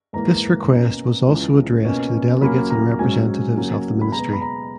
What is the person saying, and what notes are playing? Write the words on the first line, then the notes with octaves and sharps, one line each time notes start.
This request was also addressed to the delegates and representatives of the ministry.
G#2 E3 A#3 A#5
B2 A#3 C#4
C#2 C#3 E3
B2 A#3 C#4
D#2 C#3 F#3 A#3 C#4 B5
A#5
G#2 F#3 C#4 G#5
D#2 C#3 F#3 A#3
B5
B2 G#3 B3 A#5
B5
A#5